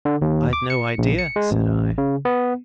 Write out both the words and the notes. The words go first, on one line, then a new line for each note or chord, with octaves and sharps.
"I'd no idea," said I.
D3
D#2
D6
C#7
A#1
C#7
G#3
A1
C#3
B3